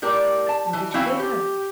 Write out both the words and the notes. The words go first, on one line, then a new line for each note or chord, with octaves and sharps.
'What did you give her?'
A2 G4 A#4 D5
A5
E3
E3 C4 E4 F#4 F5
G4